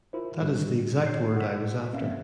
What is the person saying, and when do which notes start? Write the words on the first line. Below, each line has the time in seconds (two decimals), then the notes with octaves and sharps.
That is the exact word I was after.
0.13 E4 F4 A#4 C5
0.41 G#2 D3 G3 D4 F#4
1.04 A#2 C#5 G6 C7
1.36 F#5 E6 B6
1.93 A#3 C4 C#4 E5 F5